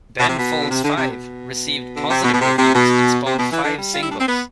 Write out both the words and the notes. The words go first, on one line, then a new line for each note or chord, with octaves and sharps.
"Ben Folds Five" received positive reviews, and spawned five singles.
B2
C3
B2
D3
C3
D3
C3
B2
D3
C3
B2
B2
C3
C3
B2
C3
B2
E3
D3
G3
F4
E4
D4
C4
B3